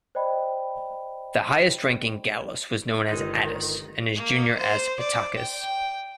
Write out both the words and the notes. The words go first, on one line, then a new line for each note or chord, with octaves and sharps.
The highest ranking Gallus was known as "Attis", and his junior as "Battakes".
C5 D5 D#5 G5 B5
G1 D#3 G#3 D#4
A#3
C5
D5
G5